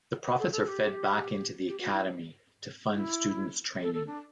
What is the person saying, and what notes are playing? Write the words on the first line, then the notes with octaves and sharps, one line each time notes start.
The profits are fed back into the Academy to fund students' training.
B4
A4
A4
A4
G4
G4
F#4
E4
E4
A4
A4
D4